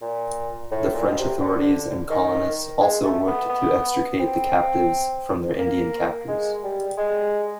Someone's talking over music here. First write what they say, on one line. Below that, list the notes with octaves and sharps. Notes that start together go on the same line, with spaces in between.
French authorities and colonists also worked to extricate the captives from their Indian captors.
A#2
A2
A#2
B2
C3
D3
D#3
G#3
A3
B3
B3
C4
A#3
G#3
G3
G#3